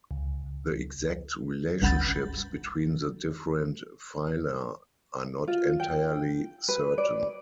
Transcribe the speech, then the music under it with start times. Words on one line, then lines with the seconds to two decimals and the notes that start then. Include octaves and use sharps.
The exact relationships between the different phyla are not entirely certain.
0.11 C#2
1.82 G1 C#2 F#5 B5 G6 A6
5.48 F4
5.80 G5
6.69 B4
6.98 D5